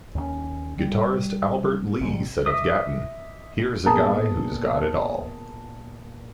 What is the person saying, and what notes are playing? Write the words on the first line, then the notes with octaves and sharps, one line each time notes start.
"Guitarist Albert Lee said of Gatton, "Here's a guy who's got it all.
D#2 D#3 E3 C#4
G3
A#1 G#2
D#5 E5 D6 D#6
A#2 B3 G#4 A#4 A5 D#6